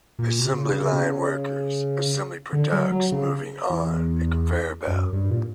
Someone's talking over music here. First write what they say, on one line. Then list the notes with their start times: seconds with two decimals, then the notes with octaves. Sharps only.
Assembly line workers assemble products moving on a conveyor belt.
0.19 A#2
0.39 B2
0.45 C#3
0.71 C#3
0.92 B2
0.96 C#3
2.53 D3
2.72 F#3
2.92 F#3
3.12 C#3
3.70 E2
4.87 F#2
5.13 G2
5.30 A#2